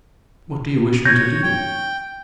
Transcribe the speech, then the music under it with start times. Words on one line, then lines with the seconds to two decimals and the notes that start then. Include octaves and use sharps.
"What do you wish me to do?"
1.05 C#5 G6 A#6
1.43 G5